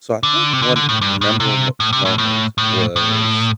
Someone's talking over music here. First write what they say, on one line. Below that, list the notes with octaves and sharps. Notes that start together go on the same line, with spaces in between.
so I think one memorable mo moment was
D3
C3
D3
D3
A2
G2
A2
C3
A2
C3
A2
A2
A2
A2